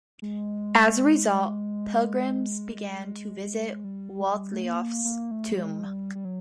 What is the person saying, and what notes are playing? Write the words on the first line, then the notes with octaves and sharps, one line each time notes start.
As a result, pilgrims began to visit Waltheof's tomb.
G#3
G3
G#3
G3
G#3
G3
A3
A#3
A#3
A3
G3
G#3
G3
G3
F#3